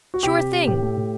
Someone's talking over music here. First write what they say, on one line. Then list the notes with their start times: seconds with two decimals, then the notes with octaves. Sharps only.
Sure thing.
0.14 F#4
0.23 C3 G4
0.38 C3
0.53 C3
0.67 A2 G4
0.83 A3
0.97 A2